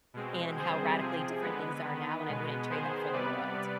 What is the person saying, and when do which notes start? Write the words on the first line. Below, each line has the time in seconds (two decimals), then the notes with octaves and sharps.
and how radically different things are now, and I wouldn't trade that for the world.
0.14 B2 G#3 C4
0.57 D3 G3 C4 G#4 C5
0.99 C3 F3 C4 G#4
1.42 D3 G#3 B3 B4
1.85 D#3 B3
2.28 B2 G#3 B3
2.70 D#3 B3 G#4 C5
3.12 C3 G3 B3 B4 D5